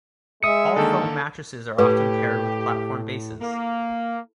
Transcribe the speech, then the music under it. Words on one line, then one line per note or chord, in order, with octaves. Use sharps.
All-foam mattresses are often paired with platform bases.
G#3 E5 D#6 C#7
D3 D#3 A#3 A4
A2 G4 B4
A#3